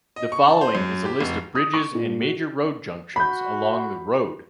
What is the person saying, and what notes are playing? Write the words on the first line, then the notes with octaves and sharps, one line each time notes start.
The following is a list of bridges and major road junctions along the road.
D#5
C#6
A5
C5
F#2
G4
F1
D#6
C#6
A#2
F#4
F#4 B5 G6